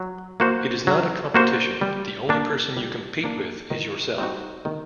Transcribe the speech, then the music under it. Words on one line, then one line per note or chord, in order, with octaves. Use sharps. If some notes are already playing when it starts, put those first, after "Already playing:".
It is not a competition, the only person you compete with is yourself.
Already playing: F#3
A#3 F#4 C5
F#3
A#3 F#4 C5
G3
A#3 D4
G3
A#3 D4
D#3
G3 C4 D#4 F#4
D#3